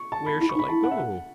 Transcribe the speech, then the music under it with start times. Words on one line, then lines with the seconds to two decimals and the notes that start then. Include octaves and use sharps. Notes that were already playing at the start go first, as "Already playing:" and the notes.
Where shall I go?
Already playing: C#6
0.12 A5
0.26 B5
0.40 E4 B5
0.49 C#6
0.55 D#4
0.59 B5
0.69 E4 A5
0.84 F#5
0.91 E5
0.98 F#5